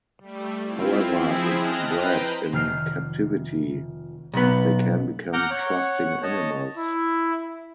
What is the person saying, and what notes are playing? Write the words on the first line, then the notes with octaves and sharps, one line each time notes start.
However, if bred in captivity, they can become trusting animals.
G3 A3
C4 E4 F4
F3 C4 E4 G#4
D#5 A5 F6 F#6 A#6
B4 C5 G5 A#5
F1 D#3 F6 C7
B1 B3
F#5 A#5 D6 F6 G6
C#5 F#5
C#5 D#5 A5
E4